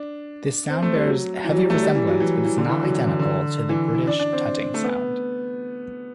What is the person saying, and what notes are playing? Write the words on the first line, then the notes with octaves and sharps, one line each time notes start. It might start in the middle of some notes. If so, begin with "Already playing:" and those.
This sound bears heavy resemblance, but is not identical, to the British tutting sound.
Already playing: D4
C4
A3
G3
F#3
E3
F#3
G3
A3
G3
E3
F#3
E3
E3
D3
E3
F#3
E3
D3
D3
E3
E4
D4
D4
C4
A3
B3